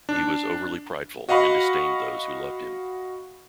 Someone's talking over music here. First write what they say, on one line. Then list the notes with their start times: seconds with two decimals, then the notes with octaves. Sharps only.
He was overly prideful, and disdained those who loved him.
0.09 D4
1.29 F#4 D#5 F5 F#5 B5 C#6